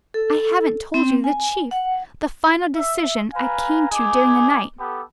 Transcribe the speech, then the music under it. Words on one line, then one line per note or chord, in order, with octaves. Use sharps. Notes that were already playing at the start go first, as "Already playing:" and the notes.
I haven't told you the chief, the final decision I came to during the night.
A4
C4
G#5
F#5
E5
B4 F5 G#5 A#5
D#4 G#4 G#5 D6
B3 G4 A4